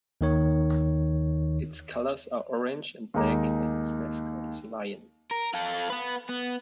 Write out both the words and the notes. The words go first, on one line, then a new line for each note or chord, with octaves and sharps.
Its colors are orange and black, and its mascot is a lion.
D#2 D#3 C#5
D#2 G#3 D#4 A#5 D6
A#4
F4 A4
B3 B4
B3